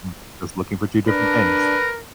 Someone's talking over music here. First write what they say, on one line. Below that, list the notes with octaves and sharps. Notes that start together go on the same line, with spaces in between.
we're just looking for two different things.
D4 A#4 B4